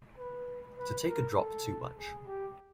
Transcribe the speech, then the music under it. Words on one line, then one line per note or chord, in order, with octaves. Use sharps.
To take a drop too much.
B4
B4
A#4
A4
G#4
G4